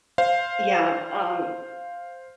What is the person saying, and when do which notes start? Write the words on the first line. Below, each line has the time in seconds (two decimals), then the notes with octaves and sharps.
yeah, um,
0.18 C5 F5